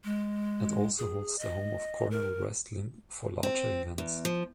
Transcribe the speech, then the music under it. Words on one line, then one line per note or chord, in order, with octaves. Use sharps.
Its also holds the home of Cornell wrestling for larger events.
G#3
G#4
D#5
A#4
C4
E2
F3